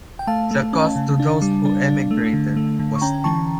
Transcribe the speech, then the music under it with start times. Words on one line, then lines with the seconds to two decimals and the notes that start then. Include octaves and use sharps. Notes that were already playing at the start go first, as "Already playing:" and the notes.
The cost to those who emigrated was steep.
0.19 G5
0.27 A3 F5 A5
0.51 A3
0.73 C#4
0.96 C#3
1.20 D4
1.42 G3
1.65 D4
1.88 D4
2.11 A3
2.33 D3
2.57 A3
2.79 D3
2.96 C#6
3.01 C#4 G5 A#5
3.24 E3 A5 C#6